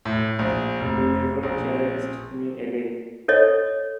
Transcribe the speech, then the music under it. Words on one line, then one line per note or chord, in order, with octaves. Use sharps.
He never challenged me again.
A2
A#1
F1
A#1
A4 C#5 D#5